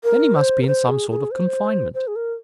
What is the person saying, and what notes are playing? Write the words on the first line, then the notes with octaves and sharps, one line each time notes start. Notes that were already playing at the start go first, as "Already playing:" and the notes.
Then he must be in some sort of confinement.
A#4
C5
A#4
C5
G#4
G#4
C5
C5
G#4
A#4